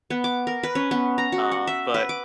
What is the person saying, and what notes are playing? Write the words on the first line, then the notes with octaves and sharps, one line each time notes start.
Uh, but
B3
D6
A#4
B4
C#4
B3
A#5
F#4
F#5
E5
B4
D6